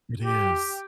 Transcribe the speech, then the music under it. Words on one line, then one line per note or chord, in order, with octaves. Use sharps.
It is.
G4